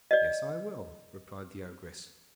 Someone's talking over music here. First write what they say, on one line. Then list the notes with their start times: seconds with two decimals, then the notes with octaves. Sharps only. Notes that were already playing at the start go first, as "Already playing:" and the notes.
'Yes, I will,' replied the ogress.
0.11 D5 D#5